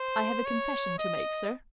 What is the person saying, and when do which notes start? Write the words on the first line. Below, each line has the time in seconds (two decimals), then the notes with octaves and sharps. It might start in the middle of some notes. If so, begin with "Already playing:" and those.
I have a confession to make, sir.
Already playing: C5
0.46 C#5
0.99 D#5